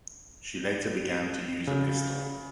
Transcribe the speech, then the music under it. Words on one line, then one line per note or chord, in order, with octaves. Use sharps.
She later began to use a pistol.
C#3